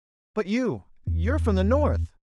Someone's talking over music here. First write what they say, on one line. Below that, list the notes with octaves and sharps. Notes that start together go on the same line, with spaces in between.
"But you--you're from the North."
E2